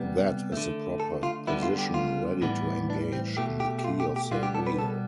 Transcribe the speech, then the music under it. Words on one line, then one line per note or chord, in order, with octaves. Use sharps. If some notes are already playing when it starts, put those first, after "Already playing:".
That is the proper position ready to engage in the key of the wheel.
Already playing: C3 G3 B3
D3 A3
A4
F4
D3 G3 B3 E4
F4
G4
F4
A2 E3 G3 B3
D4
C4
B2 A3 G4
G4
G4
F4
G4
G4
B2 G3 B3 F4
G4
A4
B4
A4